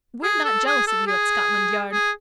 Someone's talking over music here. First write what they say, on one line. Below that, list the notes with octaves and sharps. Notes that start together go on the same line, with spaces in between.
We're not jealous of you at Scotland Yard.
G#4
A4
G#4
A4
G#4
G#4